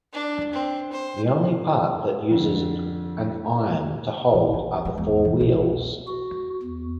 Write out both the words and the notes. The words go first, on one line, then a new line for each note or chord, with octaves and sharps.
The only part that uses an iron to hold are the four wheels.
D4
C4
C5
F2 D3
A#1 A2
E3
G#3
E2
C3 E3
B1
F#4
E2